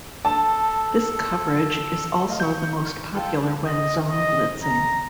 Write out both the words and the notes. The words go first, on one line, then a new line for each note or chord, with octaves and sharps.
This coverage is also the most popular when zone blitzing.
A4 A5
A3 D#5 F5
C#6 G6
F4 A4 G5
D#5
D#5
A#5